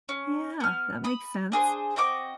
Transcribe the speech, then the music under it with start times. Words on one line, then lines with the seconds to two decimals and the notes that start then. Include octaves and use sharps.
Yeah. That makes sense.
0.09 C#4
0.60 B3 F6
1.04 B5 D#6
1.52 D4 G#4 A#4 C5
1.96 C4 F#4 D#5 D6